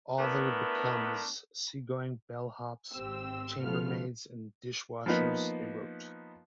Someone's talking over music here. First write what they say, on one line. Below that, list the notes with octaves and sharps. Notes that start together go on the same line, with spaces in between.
All they would become is seagoing bell hops, chambermaids and dishwashers, they wrote.
A3 B3 D4 E4 A#4 B4
G#1 C4 G4 E6
C#3 F3 A3 B3 F6
F3 A#3 B3 D#4 B4